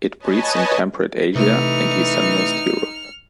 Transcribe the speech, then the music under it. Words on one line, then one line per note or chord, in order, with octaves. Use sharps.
It breeds in temperate Asia and easternmost Europe.
B4 C#5 D#5 G#5 A5
C3 E3 A3 D#4 F6 C#7